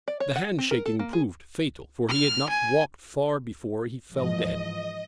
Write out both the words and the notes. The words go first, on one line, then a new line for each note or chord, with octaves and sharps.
The hand-shaking proved fatal, for he had not walked far before he fell dead.
D5
C#5
F#5
C4
A#4
A4
A#3
G#4
F6
G#5
G#2 E3 F3 D#5